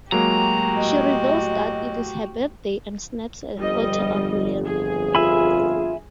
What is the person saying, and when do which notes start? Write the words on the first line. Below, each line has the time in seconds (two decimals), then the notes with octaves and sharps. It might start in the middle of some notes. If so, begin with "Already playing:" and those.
She reveals that it is her birthday and snaps a photo of Larry.
0.12 A2 F#3 G#3 A#3 F#4 G4 A#5
0.76 D#5
3.58 G1 F2 G3 D#5
4.65 G#4
5.15 F4 E5 G#5 B5